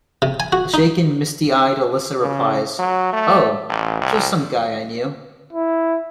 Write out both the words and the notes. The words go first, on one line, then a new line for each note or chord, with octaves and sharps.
A shaken, misty-eyed Alyssa replies, Oh, just some guy I knew.
C3
G#5
F#4
D#4
C#3
F#3
A3
A1
C2
E4